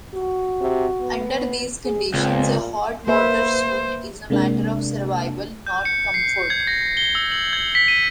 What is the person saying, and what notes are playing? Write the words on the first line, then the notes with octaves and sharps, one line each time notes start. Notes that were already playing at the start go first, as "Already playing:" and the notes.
Under these conditions a hot water suit is a matter of survival, not comfort.
F#4
C3
B3
G#4
C#2 A#2 C4
A#3 B4 C5 E5
C3 G#3 A#3 D4
G6
C#7
C7
G#6
A#6
G7
E6
F#7
G#6
B6
D#7